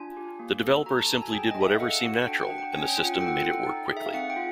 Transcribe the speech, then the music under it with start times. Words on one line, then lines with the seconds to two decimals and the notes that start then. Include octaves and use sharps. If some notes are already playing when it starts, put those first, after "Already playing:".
The developer simply did whatever seemed natural, and the system made it work quickly.
Already playing: D4 F4 G#5
0.17 G4
0.39 A#3
0.64 A4
0.86 F#4 A#5
0.99 A5
1.10 A4 A5
1.22 G#5
1.33 G#4 G5
1.51 D#5
1.57 D4 E5
1.70 F5
1.80 A4 F#5
2.03 F#4
2.27 D4 G5
2.43 F#5
2.50 D4
2.58 G5
2.73 C#4 G#5
2.89 G5
2.97 F4
3.05 F#5
3.20 A4 G5
3.28 F#5
3.37 G5
3.43 A4
3.66 D#4
3.90 G#4
3.97 E5
4.05 F5
4.14 C4 F#5
4.30 G5
4.37 F4